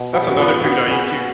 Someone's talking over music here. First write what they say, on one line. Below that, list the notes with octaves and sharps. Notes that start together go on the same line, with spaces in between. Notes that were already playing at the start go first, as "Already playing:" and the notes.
That's another food I eat too.
Already playing: B2
B3 F#4
G4
F#4
B3 F4
B3 F#4
B3 G#4